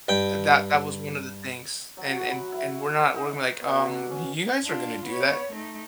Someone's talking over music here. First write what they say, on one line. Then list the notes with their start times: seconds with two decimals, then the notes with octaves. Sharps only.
that that was one of the things and and and we're not we're gonna be like, "Um, you guys aren't gonna do that.
0.08 G2 G5
1.97 F#3
2.17 F#4
2.31 B5
2.52 E4
3.00 B4
3.15 D#4
3.61 B2
3.85 D3
4.10 C#4
4.65 D4 F4
5.07 B3 C#5
5.53 A3 D#4